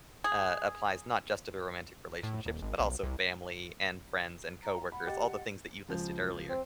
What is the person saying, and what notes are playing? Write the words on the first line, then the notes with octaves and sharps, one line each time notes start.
uh, applies not just to the romantic relationships, but also family and friends and coworkers, all the things that you listed earlier.
G#4
A2
D#1
G#1
B1
C2
A#5
F#5 B5
G4 D#5 A6
C#2 C#3 F3
C4